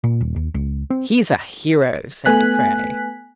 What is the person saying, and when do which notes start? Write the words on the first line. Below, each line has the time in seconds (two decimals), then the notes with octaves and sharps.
"He's a hero!" said De Craye.
0.04 A#2
0.21 D#1
0.36 D#2
0.54 C#2
0.90 C4
2.25 A3 B3 G#5 F#6 B6